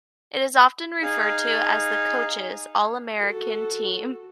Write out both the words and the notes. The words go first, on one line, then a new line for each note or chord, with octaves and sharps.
It is often referred to as the "Coaches' All-America Team".
D#4 G#4 F5
F#4 A4